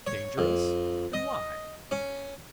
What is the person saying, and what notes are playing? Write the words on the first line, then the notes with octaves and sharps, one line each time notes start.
"Dangerous!--and why?"
C#5
F2
D#5
C#4